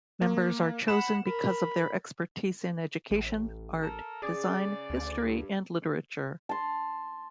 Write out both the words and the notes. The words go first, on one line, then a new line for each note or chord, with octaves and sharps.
Members are chosen because of their expertise in education, art, design, history, and literature.
A#3
F#5 B5 E7
A#4 B5
A1
A4 A#4
C#3 G#4 D5
D2
G2
A5 C6